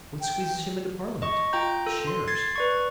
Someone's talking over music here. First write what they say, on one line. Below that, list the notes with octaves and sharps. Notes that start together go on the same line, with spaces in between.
What squeezes him into Parliament? Shares.
G5
D#5 C#6
F4 G5 A#5 G6
A4
C6
G#6 A6 C7
B4 D5 C#6